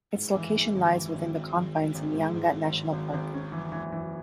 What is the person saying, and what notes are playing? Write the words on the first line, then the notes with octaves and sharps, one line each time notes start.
Its location lies within the confines of Nyanga National Park.
G#2
E3
G#2
G#1
E3
G#1
G#1
G#1
G#1
G#1
G#2
G#2
G#1
G#1
G#1
G#1
C#4
E3
E3
E3